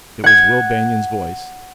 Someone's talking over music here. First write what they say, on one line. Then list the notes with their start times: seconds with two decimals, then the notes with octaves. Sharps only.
It was Will Banion's voice.
0.24 F#5 G#6